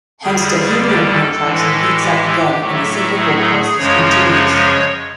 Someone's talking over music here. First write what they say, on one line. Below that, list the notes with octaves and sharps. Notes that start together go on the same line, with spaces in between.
Hence the helium contracts and heats up again and the cyclical process continues.
F2 D3 G3 G#4
G4
A4
A2 E3 G#3
G4
A2 F#3 A3
G#4
G#4
F#2 C#3 F3 G#3 C#5